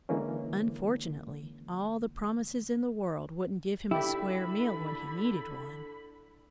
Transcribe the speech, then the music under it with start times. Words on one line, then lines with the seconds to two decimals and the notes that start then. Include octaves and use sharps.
Unfortunately, all the promises in the world wouldn't give him a square meal when he needed one.
0.09 D3 E3 G#3 A#3 C#4
3.91 D3 E4 G4 A4 B5